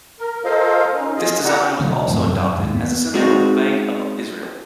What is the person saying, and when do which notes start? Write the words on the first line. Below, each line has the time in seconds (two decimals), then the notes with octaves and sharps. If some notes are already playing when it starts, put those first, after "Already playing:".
This design was also adopted as the symbol of the Bank of Israel.
0.19 A#4
0.44 F4 A4 A#4 C5 D#5 F5
0.94 C#4 D#4
1.15 F4 G#4 D#5
1.45 E4 G4 D5 F#5 A#5
1.79 B1 D3 E3 F#3
2.07 G1 F2 A2 C3
2.27 F#2
2.40 F#2
2.58 D#2 G#2
2.75 B3
3.14 G#3 C4 D#4 F4 F#4